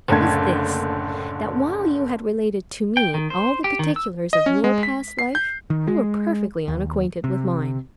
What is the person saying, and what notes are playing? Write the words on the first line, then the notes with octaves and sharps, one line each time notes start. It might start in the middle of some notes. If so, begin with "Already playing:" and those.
"It was this,--that while you had related to me all the particulars of your past life, you were perfectly unacquainted with mine."
F#1 A2 D3 A#3 A4 G#6
G5
D#3
C5
G4
D#3
E6
D#5
C#4
G#3
B6
C7
G6
D#3
G#3
D#2
C3